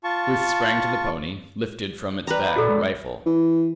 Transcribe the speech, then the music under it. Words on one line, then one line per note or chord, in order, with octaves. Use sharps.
Ruth sprang to the pony, lifted from its back a rifle.
F4 A5 C#6
G3 B4 A#5
A#2 D3 F#3 B3 F#4 A4
G#3
E3